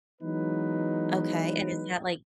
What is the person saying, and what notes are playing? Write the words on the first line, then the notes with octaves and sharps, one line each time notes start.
Okay, and is that, like,
E3 F#3 G#3 B3 D#4 B4